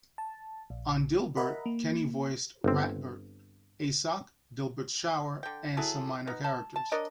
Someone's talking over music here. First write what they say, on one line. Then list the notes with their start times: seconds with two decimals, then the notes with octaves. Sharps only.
On "Dilbert", Kenny voiced Ratbert, Asok, Dilbert's shower, and some minor characters.
0.18 A5
0.70 A#1
1.37 A#4 D#5 E5 F#5 A#5 B5
1.66 A#3
2.64 G1 C4
5.43 D3 G5
5.77 F#3 E4 G#4 A4
6.27 B3 D#4
6.44 A5
6.76 A5
6.92 D4 A#4 C#5 D#5